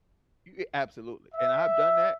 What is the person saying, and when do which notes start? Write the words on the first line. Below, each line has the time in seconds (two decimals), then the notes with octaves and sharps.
Y a absolutely. And I've done that,
1.35 E5